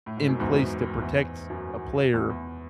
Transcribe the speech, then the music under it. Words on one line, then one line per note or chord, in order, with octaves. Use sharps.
in place to protect a player,
A2
G#2
F#2
E2 G#2
F#2
E2
F#2
E2
E2